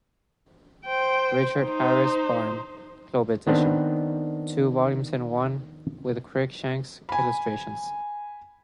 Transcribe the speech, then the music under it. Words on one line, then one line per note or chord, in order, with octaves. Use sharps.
Richard Harris Barham Globe Edition, Two volumes in one, with Cruikshanks' Illustrations.
C5 G5
D#4 C5
D#3 B3 C4 D4
G#5 B5